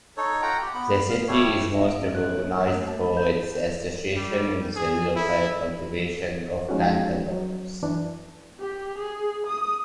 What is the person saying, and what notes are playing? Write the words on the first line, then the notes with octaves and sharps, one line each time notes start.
The city is most recognized for its association with the local cultivation of cantaloupes.
D#4 A4 C#5
F4 F#5 G5 A#5
G4
B3 B5
F5
G3 A3 E4 C#5
E5
D7
C#4
F#6
C#5
A#3
C#5
A3
A5
B5
G6
G3
G#4
E4
F3 G#3 C#4 D#4 F#4
F#3
F#2 E3 D4
G4
G#4
D#6